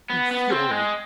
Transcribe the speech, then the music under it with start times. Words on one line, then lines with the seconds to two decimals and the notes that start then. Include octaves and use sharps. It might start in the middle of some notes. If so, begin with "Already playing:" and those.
You fury!
0.10 B3
0.31 B3
0.51 C4
0.71 G#3